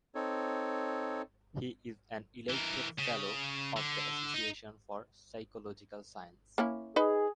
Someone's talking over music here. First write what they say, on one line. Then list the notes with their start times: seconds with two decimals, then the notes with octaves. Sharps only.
He is an elected fellow of the Association for Psychological Science.
0.15 C4 D#4 A4 C#5
2.50 E3 A#4
2.99 C#3
3.76 D3
4.34 D#4
6.58 A#3 C#4 E4
6.96 D#4 G#4 B4 D#5